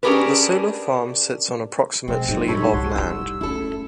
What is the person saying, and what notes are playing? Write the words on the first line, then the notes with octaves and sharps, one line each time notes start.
The solar farm sits on approximately of land.
C#4 D4 G4 G#4 A#4 B4
B2 F3 G#3 C4
A#1 G#2 F#3 D#4
C3 G3 D#4 A4 C#5 B5
C2 F#4 C#5 C6
G#2 E4 E6
A3 C#4 E4 A4